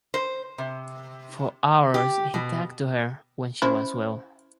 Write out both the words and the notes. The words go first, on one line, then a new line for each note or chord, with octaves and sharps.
For hours he talked to her, when she was well.
C5
C3
G4
B2
C#4 E4 C5